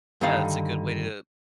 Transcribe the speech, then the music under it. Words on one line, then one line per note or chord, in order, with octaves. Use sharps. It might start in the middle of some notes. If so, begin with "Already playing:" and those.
yeah, that's a good way to
G2 D3 D#3 D#4 A4 F5